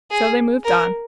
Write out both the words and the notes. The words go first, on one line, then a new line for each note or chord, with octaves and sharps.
So they moved on.
G#4
A#4